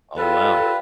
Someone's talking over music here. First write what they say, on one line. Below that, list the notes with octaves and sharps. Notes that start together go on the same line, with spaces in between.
Oh, wow.
G3 F4 A4 B4